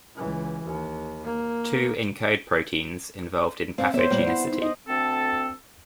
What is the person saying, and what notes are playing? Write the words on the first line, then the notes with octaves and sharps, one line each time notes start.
Two encode proteins involved in pathogenicity.
C#2 E3
D#2
A#3
C4 F5
B3 C5 C#5 E5
A#2 G3
E4 F#5
D#4
D#4 D#5
D2 C4 A4